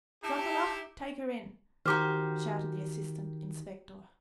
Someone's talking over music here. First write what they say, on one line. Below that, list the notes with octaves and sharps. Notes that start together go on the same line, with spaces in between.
"Sokoloff, take her in!" shouted the assistant inspector.
D#4 E4 G4 A5
D#3 F#4 G4 C5 A#5 D6 F6